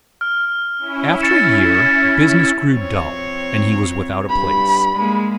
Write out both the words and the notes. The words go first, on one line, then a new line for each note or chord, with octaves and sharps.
After a year, business grew dull, and he was without a place.
F6
C#4 E4
A6 C#7 E7
F2 C4 C#5
G2 B5
G#3 A#3